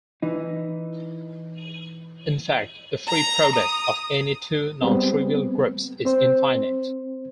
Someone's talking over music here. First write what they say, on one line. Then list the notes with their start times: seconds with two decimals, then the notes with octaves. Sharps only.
In fact, the free product of any two nontrivial groups is infinite.
0.22 E3 D#4
3.08 A#5
3.56 D#6
4.81 G3 G#3 B3 C4
6.05 C4 C5